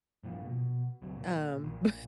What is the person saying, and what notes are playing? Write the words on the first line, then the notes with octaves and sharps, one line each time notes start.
Um, bu
G2 A#2 F3
B2
C#2 F#3
A#2
A#1 A#2